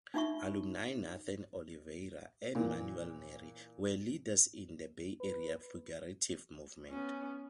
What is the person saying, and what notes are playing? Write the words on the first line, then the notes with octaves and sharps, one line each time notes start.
Alumni Nathan Oliveira and Manuel Neri were leaders in the Bay Area Figurative Movement.
D4 D#4 F4 E5 B5 C#6
A#2 E3
B4
B3 C#4